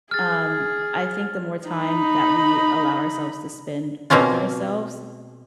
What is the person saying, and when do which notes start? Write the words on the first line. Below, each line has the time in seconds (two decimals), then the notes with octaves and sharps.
um, I think the more time that we allow ourselves to spend with ourselves,
0.11 G#4 F6 A6
1.67 D#4 B5
4.10 B2 A#3 C4 C#4 F4